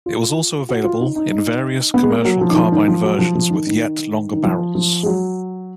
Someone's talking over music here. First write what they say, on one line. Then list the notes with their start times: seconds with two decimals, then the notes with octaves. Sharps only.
It was also available in various commercial carbine versions with yet longer barrels.
0.06 F4
0.69 F#4
0.84 F4
1.00 D#4
1.16 D#4
1.32 D#4
1.94 B3
2.03 G#3
2.10 A#3
2.25 F#3
2.41 F3
2.51 D#3
2.56 F3
2.72 D#3
2.88 F3
3.04 F#3
3.19 F3
3.35 F3
3.50 D#3
3.67 D#3
4.33 D#3
4.44 F3
4.75 F3
5.03 G#3
5.06 F#3